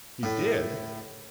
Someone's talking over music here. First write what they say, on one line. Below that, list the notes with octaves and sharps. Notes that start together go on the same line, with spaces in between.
"You did!"
A2